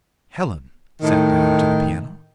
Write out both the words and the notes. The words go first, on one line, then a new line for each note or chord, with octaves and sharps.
Helen sat down to the piano.
A2 D#3